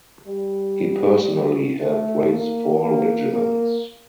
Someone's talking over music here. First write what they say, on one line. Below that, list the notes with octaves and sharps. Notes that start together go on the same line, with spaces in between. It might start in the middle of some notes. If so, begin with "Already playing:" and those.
He personally helped raise four regiments.
G3
A3
A#3
A#3
A#3